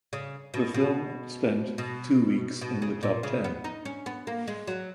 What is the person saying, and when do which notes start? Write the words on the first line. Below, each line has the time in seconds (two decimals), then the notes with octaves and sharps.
The film spent two weeks in the top ten.
0.13 C#3
0.54 B2
0.74 B2
1.78 B2
2.61 B2
2.82 C#3
3.03 A#2
3.23 C#3
3.44 B3
3.64 D#4
3.85 C#4
4.06 B3
4.27 A#3
4.47 G#3
4.67 F#3